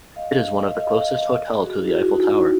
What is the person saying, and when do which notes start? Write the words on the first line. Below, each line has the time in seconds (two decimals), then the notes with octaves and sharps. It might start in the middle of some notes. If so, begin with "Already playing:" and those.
It is one of the closest hotel to the Eiffel Tower.
0.16 D#5 F5
0.74 D#5 F5
0.89 D#5 F5
1.63 F#4 G#4
1.78 E4 F#4
1.88 F4
1.93 E4 F#4
2.04 F4
2.14 D#4
2.23 E4